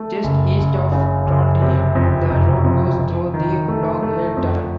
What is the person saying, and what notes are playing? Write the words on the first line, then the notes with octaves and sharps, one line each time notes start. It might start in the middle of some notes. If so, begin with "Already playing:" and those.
Just east of Trondheim, the road goes through the long Hell Tunnel.
Already playing: A3
F#1
F#1
C#3
F#1
C3
F2
F1
F2
F2
D#3
A3
A3
F2